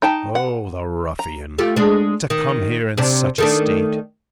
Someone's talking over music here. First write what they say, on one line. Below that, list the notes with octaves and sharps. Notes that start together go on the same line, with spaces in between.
O the ruffian! to come here in such a state!
D#4 G5 A5
F#5
A#5
A3 F4 G4
G#3 D4
D#3
C3 D4
D#3 A3 D4